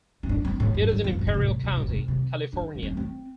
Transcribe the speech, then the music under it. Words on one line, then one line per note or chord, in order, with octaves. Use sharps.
It is in Imperial County, California.
C4
D4
C4
A2
G2
G2
F2
G2
D3
C3
A2
C3
A2
C3
C3
D4
D4
C4
A3
C4